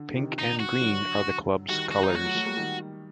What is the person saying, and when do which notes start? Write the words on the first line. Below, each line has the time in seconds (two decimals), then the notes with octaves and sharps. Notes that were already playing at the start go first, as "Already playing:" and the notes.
Pink and green are the club's colours.
Already playing: D3
0.16 C3 D#3
0.38 D#4
0.59 F#4
0.81 D3 F#3
1.69 D#3 G3 F#4
1.91 F#4
2.03 D#4
2.13 F#3 A3
2.16 F#4
2.25 F#3 A3
2.35 F#3 A3
2.46 G3 A#3
2.57 D#3 G3